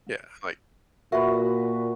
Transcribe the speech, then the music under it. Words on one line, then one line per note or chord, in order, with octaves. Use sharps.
Yeah, like
A#2 F#4 A#4 B4 E5